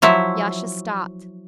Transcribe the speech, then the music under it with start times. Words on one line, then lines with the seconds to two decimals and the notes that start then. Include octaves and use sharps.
Yasha stopped.
0.02 F3 F#3 E4 E5